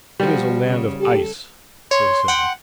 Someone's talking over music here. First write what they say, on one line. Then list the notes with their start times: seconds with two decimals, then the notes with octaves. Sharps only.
"It is a land of ice," they said.
0.20 F3 G3 F#4
0.66 C#3
1.00 G4 A4
1.91 C#5 C6
2.28 F#5 G5